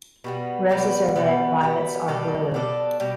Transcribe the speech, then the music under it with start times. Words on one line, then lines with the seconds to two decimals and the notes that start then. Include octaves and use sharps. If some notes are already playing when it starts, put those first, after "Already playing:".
Roses are red, violets are blue.
0.24 B2 G3 B3
0.69 B2 G3 B3
1.16 B2 G3 B3
1.61 B2 G3 B3
2.08 B2 G3 D4 A4
2.54 B2 G3 D4 A4
3.00 B2 G3 D4